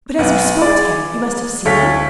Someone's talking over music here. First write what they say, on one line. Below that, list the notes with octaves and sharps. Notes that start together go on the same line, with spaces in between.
"But as you spoke to him you must have seen him."
B1 B3
G#4 D5
D2 A4 C#5 F5 B6